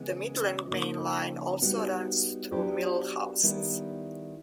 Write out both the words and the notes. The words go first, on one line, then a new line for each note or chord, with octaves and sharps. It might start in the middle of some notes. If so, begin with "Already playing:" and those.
The Midland Main Line also runs through Millhouses.
Already playing: C#3 E3 G#3 B3
C#3 F3 A#3 D#4
G3 B3 D#4 F#4
F#3 B3 D4 G4
D#3 G3 B3 E4